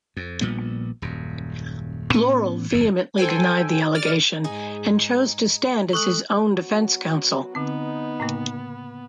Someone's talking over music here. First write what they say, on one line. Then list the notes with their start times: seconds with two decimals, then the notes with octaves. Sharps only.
Laurel vehemently denied the allegation and chose to stand as his own defense counsel.
0.17 F2
0.41 A#1 A#2 G3 B3
1.02 D#1 F#2
2.14 A2 B3 C#4
2.71 G1 F2 G#2 B2
3.18 A4 C5 G5 G#5
3.95 D5 F6 A6
4.44 G#2 D#4 G#4
5.93 G#3 A4 C#6 D#6 F#6 F#7
6.50 F#3 B3 F#4
7.55 D3 B3 C4 D#4
8.20 A2 C#3 A#3